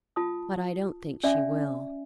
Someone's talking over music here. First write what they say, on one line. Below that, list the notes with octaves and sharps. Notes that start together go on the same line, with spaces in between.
"But I don't think she will."
F4 A5 D#6
C#4 D5 E5 G#5